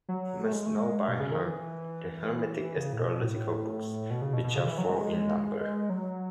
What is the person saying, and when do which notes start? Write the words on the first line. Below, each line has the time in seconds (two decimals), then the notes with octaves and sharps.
He must know by heart the Hermetic astrological books, which are four in number.
0.09 F#3
0.44 A3
0.52 G#3
0.66 A3
0.75 G#3
1.08 B2
1.20 C#3
1.31 D#3
1.43 E3
2.76 C#3
2.93 A2
2.99 B2
3.21 A2
4.10 B2
4.22 C#3
4.33 B2
4.44 B2
4.55 C#3
4.67 E3
4.78 F#3
4.89 G#3
5.90 F#3